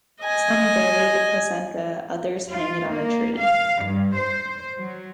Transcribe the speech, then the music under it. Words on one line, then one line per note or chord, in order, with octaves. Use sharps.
Some bury the placenta, others hang it on a tree.
D#5 G#5
F4
A#3
F5
G2
C5
F#3